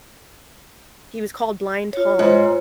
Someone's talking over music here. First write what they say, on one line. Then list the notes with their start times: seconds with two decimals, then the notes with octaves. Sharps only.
he was called Blind Tom.
1.93 F4 C#5
2.19 G#2